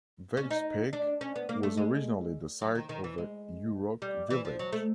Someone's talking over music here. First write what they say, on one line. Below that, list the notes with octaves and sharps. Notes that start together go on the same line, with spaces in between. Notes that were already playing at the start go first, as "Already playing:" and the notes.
Weitchpec was originally the site of a Yurok village.
C#4
D#4
D4
C#4
B3
A#3
A3
G#3
F#3
D#3
D#3
E3
G#3
G3
E3
F3
F#3
A3